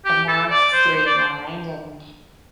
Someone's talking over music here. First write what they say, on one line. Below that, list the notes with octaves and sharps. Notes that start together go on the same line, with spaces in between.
and more streamlined, and
G4
A4
D5
C5
C5
D5
C5